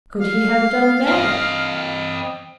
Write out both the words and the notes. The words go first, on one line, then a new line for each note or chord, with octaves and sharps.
Could he have done better?
F5
C4 D#5